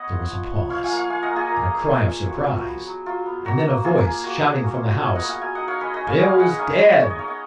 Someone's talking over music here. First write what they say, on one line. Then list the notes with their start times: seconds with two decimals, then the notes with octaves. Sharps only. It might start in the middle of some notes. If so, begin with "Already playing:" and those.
There was a pause, then a cry of surprise, and then a voice shouting from the house, "Bill's dead."
Already playing: B3 C#5 D#5 F#5
0.12 F4
0.31 F3
0.51 F3
0.70 F3 C#5 F5
0.83 F5 G#5
0.91 A#3
0.97 C#5 F5
1.10 F4 F5 G#5
1.22 D#5 F#5
1.30 A#3
1.36 F4 G#4
1.49 A#3
1.68 A#3
1.89 F3
2.08 C#4
2.27 F3 F#4
2.41 F4
2.47 C#4
2.54 F#4
2.67 B3
2.87 F#3
3.06 F#3 F4
3.26 B3
3.45 A#3 F#4
3.65 A#3
3.84 A#3 F4 G#4
4.05 A#3
4.24 A#3 F#4
4.44 A#3
4.64 C#4 F#4
4.77 F4
4.83 C#4
4.90 F#4
5.02 F#3 C#5 F5
5.15 D#5 F#5
5.22 B3
5.29 F5 G#5
5.41 F#3 F5 G#5
5.55 D#5 F#5
5.61 D#4
5.68 C#5 F5
5.81 C#4 B4 D#5
5.94 B4 D#5
6.01 C#4
6.07 C#5 F5
6.20 G#3 F5 G#5
6.39 G#3 D#5 F#5
6.59 D#4 C#5 F5
6.79 B3
6.98 B3 C#5
7.10 D#5
7.18 D#4 C#5 F5
7.28 D#5 F#5